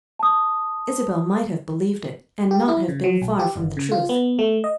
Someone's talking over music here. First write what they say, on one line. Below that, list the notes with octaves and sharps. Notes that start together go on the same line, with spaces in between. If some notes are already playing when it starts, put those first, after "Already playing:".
Isabel might have believed it and not have been far from the truth.
A5 D#6
G4
E4
C#3
F#3
B1
G4
G1
C#3
F4
B3
A3
D#5